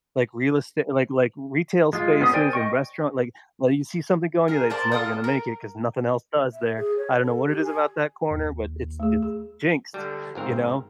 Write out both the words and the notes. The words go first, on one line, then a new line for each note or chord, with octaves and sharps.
Like, real estate like like, retail spaces and restaurant. Like like, you see something going, you're like, "It's never gonna make it 'cause nothing else does there. I don't know what it is about that corner, but it's it's jinxed," you know?
G#3 F4
B3 C#4 G#4 D#6
A#4 C5 D5 G5 G#5
D#5 G5 C#6
G#4 A#4
A#4 C5 D5 A5
F4 A4 D5 D#6
A#4
E5
G#4
C#5
A4
G4
G#5
D#2
A3 G#4
G#4
D3 G3
G1 G#2 C4 A#4